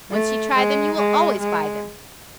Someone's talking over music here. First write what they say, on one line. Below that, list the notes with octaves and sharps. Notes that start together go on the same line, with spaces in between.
Once you try them, you will always buy them.
A3
G#3
G#3
G#3